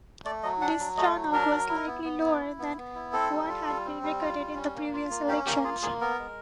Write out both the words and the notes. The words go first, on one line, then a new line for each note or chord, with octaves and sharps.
This turnout was slightly lower than what had been recorded in the previous elections.
A3 D5
F#3 D#5
D4 F#5
F#3
A3 D#5
F#3
D4 A#4
F#3
E4
B3
B3
E4
E4
B3
B3
E4
C4 A4
G3
F4
G3
C4
G3
F4
G3
C#4
A#3
F4
A#3
C#4 G4
A#3 G4
F4 G#4
A#3 G#4
B3 A#4
G#3